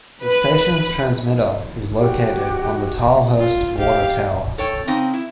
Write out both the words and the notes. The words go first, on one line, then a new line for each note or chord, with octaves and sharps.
The station's transmitter is located on the Tilehurst Water Tower.
B4
F#4 G4
F4
G4 F5
A4 C#5 G5
C#3 C4 D#4
E4